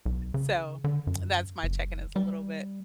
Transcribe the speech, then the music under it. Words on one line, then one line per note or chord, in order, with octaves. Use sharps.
So, that's my check-in is a little bit,
B1
C#3
D3
F#2
F#1
G3